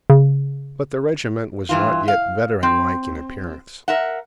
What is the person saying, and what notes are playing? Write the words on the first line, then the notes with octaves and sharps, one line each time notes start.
But the regiment was not yet veteranlike in appearance.
C#3
G2 E3 F4
F5
C4
A#4 E5 F#5